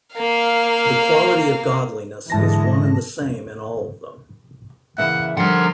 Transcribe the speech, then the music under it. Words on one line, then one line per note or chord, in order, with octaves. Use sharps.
The quality of godliness is one and the same in all of them.
A#3 F5
G#2 D3 E3 G#3 A5 A#6
A#2 C#3 E3 E5 F#5
D3 F3 G3 A#4 F#5 C6